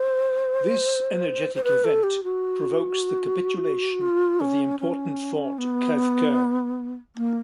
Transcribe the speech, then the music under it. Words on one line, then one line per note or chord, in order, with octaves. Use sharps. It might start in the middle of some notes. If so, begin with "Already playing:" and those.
This energetic event provokes the capitulation of the important fort Crèvecœur.
Already playing: C5
C5
B4
A4
G4
F#4
F4
C#4
C#4
B3
A#3